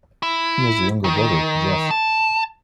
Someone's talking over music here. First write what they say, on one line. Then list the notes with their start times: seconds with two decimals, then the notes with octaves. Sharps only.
He has a younger brother, Jeff.
0.23 E4
1.04 D#3
1.91 A5